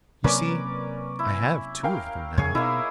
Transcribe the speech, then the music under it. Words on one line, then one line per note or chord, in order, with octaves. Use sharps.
You see, I have two of them now.
C3 F#3 A#3 C#4 A#4 B4 D5 D6
E4
A#4 F5 G5
F2 C#3 G#4 C#5
B2 A#3 D#4 E4